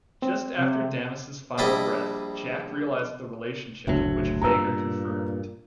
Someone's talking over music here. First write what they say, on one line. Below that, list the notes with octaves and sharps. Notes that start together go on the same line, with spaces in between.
Just after Damas' final breath, Jak realized the relationship, which Veger confirmed.
C4
C3
A#1 G3 E4 D#5 E5 A5
F#1 D2 A2 F#3
G2 A#2 A#5 E6